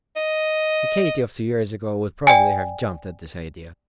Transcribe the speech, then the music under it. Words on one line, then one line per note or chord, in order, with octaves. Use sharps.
The Katy of two years ago would probably have jumped at this idea.
D#5
D5 G5 G#5